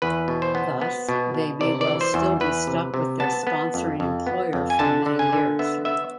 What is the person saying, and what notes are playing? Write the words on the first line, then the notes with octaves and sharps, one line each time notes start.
Thus, they may well still be stuck with their sponsoring employer for many years.
E2 B4
B2
C5
B3
B3
B2
B2
C3 D5
D5
E3
C5
E2
E2 B4
C3
C3
B3 A5
B3
F2
F2
B3
F2
G#5
D3 A5
D3
G#5
D3
B3 E5
B3 E5